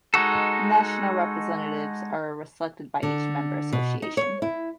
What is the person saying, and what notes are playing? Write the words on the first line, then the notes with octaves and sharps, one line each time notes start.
National Representatives are selected by each member association.
G#3 D#4 F#4 A4
D3
B2
D#4
C#5
E4